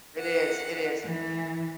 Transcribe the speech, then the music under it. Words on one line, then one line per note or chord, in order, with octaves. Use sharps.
It is, it is
F#5
E3